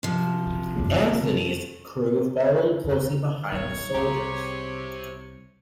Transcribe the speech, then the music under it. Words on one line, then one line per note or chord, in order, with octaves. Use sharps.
"Anthony"s crew followed closely behind the soldiers.
C3 F3
D#1 B1 D#4 C#5
C2 G4 G#4 C5 A#5